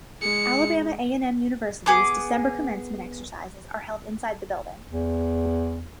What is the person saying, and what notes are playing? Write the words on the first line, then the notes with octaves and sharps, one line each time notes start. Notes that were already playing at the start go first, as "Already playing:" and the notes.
Alabama A and M University's December Commencement Exercises are held inside the building.
G#3 C#7
B3 G#4 D6
E2